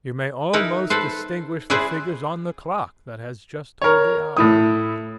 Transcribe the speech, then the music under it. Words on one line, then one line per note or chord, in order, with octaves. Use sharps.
You may almost distinguish the figures on the clock that has just told the hour.
D#4 E4 A#4 B4
A4 B4 C5
E4 G#4 B4 C5 D5
A#4 C#5
A2 E4 D#6